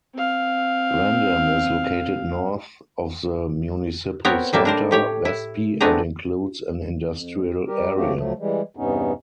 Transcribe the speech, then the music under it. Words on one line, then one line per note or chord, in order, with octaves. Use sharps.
Randem is located north of the municipal centre, Vestby, and includes an industrial area.
C4 F5
B3 C4 A#4 C#5
A2 G3 A#3 E5
D4 A#4 C5
A2 G4 C#5
E4
A3 B3 C4 D4 G#4 A#5
F2
G3 G4 A#4
F#3 A3 A#3 C4 F#4 G4
F3 F#3 A3
E3 G3 G#3
E2 G2 C3 B3 C#4 D#4